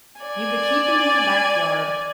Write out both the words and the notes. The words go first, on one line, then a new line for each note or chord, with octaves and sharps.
You could keep him in the back yard.
D5 G#5